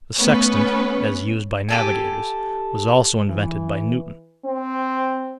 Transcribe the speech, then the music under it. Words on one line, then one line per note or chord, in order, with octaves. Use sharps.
The sextant, as used by navigators, was also invented by Newton.
A3 B3 C#4 B4
G4 A4 G#5
E3
C4